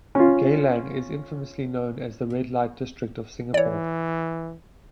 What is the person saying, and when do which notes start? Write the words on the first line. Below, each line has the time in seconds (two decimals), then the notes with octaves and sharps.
Geylang is infamously known as the red-light district of Singapore.
0.15 C#4 F4
3.54 E3 C#5 D5